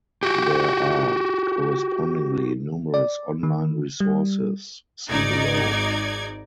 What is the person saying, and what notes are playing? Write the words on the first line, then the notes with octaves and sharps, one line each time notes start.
There are, correspondingly, numerous online resources; see below.
F#4 G4
D5
D#3
G3
G#1 D#4 D5 G#6